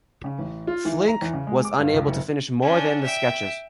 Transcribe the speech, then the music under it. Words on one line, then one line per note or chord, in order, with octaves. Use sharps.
Flinck was unable to finish more than the sketches.
C#3
A1
F4
E3
A#5
E2
C#3
G#3
D6
G2
C#2
F#1
C#4 D4
E5 G5